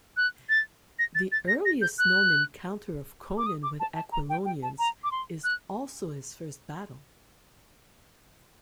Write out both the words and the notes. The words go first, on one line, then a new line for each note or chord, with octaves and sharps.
The earliest known encounter of Conan with Aquilonians is also his first battle.
F#6
A6
A#6
A6
A6
A#6
A#6
G6
F#6
D6
D#6
D6
A5
A5
A#5
G5
G5
A5
A#5
D6
C6
F#6